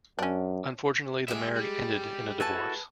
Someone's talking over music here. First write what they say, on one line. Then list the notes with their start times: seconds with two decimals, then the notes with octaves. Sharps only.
Unfortunately, the marriage ended in a divorce.
0.19 F#2 C#4 D4
1.28 G#3 B3 G4 E5
1.56 G3
2.40 E4 F#4 A4 B4 G#5 A5